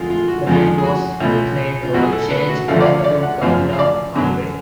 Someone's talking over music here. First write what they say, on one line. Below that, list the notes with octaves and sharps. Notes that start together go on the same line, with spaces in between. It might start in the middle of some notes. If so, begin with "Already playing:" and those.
The name was later changed back to Guadalupe County.
Already playing: F2 D3 G#3 F4
F4
F#4
F2 F3 G#3 F4
G#4
F#4
C#2 B2 A3 F4
F4
B1 B2 F#3 F#4
G#4
A4
B4
F#4
D2 C#3 F3 A3 F5
D5
F5
C#5
D5
F#5
G#1 F#2 F3 F5
F5
D5
F#2 D3 F#3